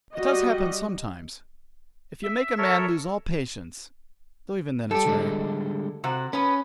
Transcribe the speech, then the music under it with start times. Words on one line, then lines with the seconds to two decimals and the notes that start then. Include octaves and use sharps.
It does happen sometimes, if you make a man lose all patience, though even then it's rare.
0.15 G3 F#4 D#5
2.23 E5
2.58 A4 A#4 C#5 E5
4.91 G3 G4 A4
5.05 D3 G3 G#3
6.04 C3 F#4
6.33 B3 C#4 B4